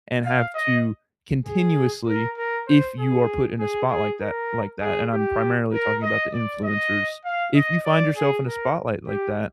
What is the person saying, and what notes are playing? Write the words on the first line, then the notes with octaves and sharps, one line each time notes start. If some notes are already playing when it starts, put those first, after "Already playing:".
and have to continuously, if you are put in a spot like that like that, and I'm primarily talking about the influencers, if you find yourself in a spotlight like that,
F5
D#5
G#4
A#4
A#4
C5
G#4
G#4
G#4
A#4
G#4
G4
A#4
D#5
D5
D#5
F5
D#5
D5
G#4
A#4
G4